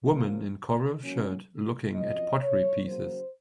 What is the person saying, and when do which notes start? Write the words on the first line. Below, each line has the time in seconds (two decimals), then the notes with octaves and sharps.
Woman in coral shirt looking at pottery pieces.
0.09 C#3 F3 A#3
1.03 G#2 F#3 A#3 C#4
1.95 F#2 F3 C4 D#5
2.41 C#5
2.87 C#3 F#3 A#3 C5